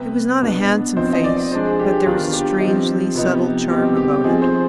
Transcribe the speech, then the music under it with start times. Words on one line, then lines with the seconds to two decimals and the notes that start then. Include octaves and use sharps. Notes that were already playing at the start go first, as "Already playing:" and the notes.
It was not a handsome face, but there was a strangely subtle charm about it.
Already playing: C3 G3 B3 B4
0.42 B2 B3 D4
0.97 F3 C4 D#4 C5
1.13 D#5
1.24 D5
1.51 F3 G#3 D4 C5
1.65 G#4
1.80 G4
1.92 G4
2.06 D#3 B3 D4 F4
2.33 G4
2.60 F3 C4 D#4
3.15 C3 F3 B3 D#4
3.70 B2 G3 C4 D#4 G4
3.97 G4
4.24 F3 C4 D#4 G#4
4.42 C5